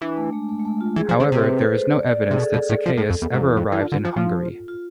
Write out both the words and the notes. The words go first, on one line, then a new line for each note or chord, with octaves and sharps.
However, there is no evidence that Zacheus ever arrived in Hungary.
E3 D4
A3
G#3
A3
G#3
A3
F4
E3 G#4
F3
C5
D3
C3 C5
B4
A4
C5
D5
D5
C3 G#4
B2 A4
B2
A2
F3
A2
F2
E2
G#2
F2
E2
F2
E3
D3 F4
D3
F3
F3
F4